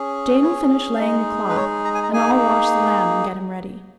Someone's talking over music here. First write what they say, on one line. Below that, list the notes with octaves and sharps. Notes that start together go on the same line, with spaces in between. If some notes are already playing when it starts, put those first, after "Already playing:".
Jane'll finish laying the cloth, and I'll wash the Lamb and get him ready.'
Already playing: C#4 G#4
C#5
F5
G#3 D#4 G#4 D#5
B4
C#5
A#5
G#5
A#5
A#3 D#4 G#4 G#5